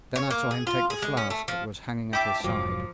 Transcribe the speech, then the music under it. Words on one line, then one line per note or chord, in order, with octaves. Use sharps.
Then I saw him take the flask that was hanging at his side.
C#5
A#3
G#4
F4
G#4
G#3
C#4
A3
F3
E4 G4 E5 G5 A5 D6
F1 G#2 F3 F#3 A#3